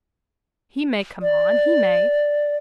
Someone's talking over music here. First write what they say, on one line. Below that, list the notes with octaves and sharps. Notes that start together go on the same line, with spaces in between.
He may come on--he may.
D5